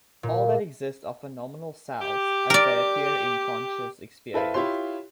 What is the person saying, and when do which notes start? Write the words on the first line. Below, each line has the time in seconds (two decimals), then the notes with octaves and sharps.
All that exists are phenomenal selves, as they appear in conscious experience.
0.23 A#2
2.01 G4
2.50 A#4 D5
4.34 E4 A4 B4 C5 E5 F5
4.54 E4 F4 G4 C#5 C6